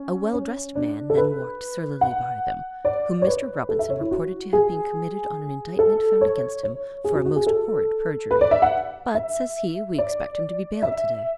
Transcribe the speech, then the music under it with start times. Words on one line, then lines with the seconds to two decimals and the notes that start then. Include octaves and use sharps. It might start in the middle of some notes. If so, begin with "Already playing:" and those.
A well-drest man then walked surlily by them, whom Mr. Robinson reported to have been committed on an indictment found against him for a most horrid perjury; but, says he, we expect him to be bailed today.
Already playing: C#4
0.33 C#4
0.75 D4
1.10 A4
1.17 B4
2.01 F#5
2.85 D5
3.22 C#5
3.27 B4
3.69 A4
3.79 E5
3.90 C#5
4.01 E4
4.11 F#4
4.53 G#4
5.79 A4
6.21 C#5
6.63 C#5
7.04 G#4
7.15 F#4
7.26 F#4
7.36 G#4
7.47 A4
8.31 B4
8.41 D5
8.51 E5
8.62 F#5
9.15 E5
9.98 D5
10.83 E5